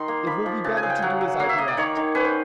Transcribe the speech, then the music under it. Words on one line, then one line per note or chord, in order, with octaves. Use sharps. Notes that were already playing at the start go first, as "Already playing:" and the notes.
It will be better to do as I direct.
Already playing: D#3 C6
A#3
F3 B5
F3
C#3 A5
G#5
C#3
G5
F#3 F#5
F#3
A#3 F5
E5
A#3 D#5
D5
D#3 C#5
D#3
C#4 B4
C5